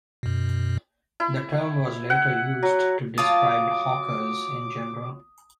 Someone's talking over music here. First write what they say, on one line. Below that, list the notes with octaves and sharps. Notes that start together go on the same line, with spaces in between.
The term was later used to describe hawkers in general.
F#2 B2
E4
F#5
F#3
F#3 F4 A5 D6 D#6